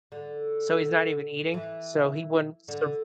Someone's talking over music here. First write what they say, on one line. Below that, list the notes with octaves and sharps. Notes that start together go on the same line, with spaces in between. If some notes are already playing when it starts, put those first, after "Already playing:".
so, he's not even eating. So, he wouldn't surv
D3
E3
D3